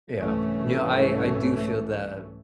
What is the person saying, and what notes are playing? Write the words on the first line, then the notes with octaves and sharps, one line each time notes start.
Yeah. You know, I I do feel that,
C2 G#2 E3 A3 C#4